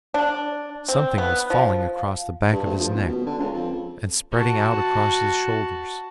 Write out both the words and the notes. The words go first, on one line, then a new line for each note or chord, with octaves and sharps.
Something was falling across the back of his neck and spreading out across his shoulders.
D4
C4
B3
F3
G2
D2
F3
D#1
B2
D3
C#2
F2
F#4 A5